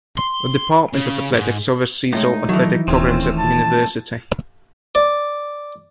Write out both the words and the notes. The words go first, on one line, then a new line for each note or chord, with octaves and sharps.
The Department of Athletics oversees all athletic programs at the University.
C6
C#3
G#2
A2 G#3 D#4
D#3 E3 F#3 A3
D1 F3 A3 C4 C#4
A5
D5